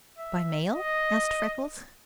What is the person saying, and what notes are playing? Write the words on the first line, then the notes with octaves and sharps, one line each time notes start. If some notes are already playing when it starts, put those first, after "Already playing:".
"By mail?" asked Freckles.
E5
D#5